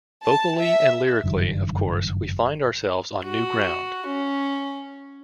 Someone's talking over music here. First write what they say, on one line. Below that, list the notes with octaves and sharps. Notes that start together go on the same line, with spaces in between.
Vocally and lyrically, of course, we find ourselves on new ground.
A5
E5
F#1 G2 D#3 F#3
F#4
C#4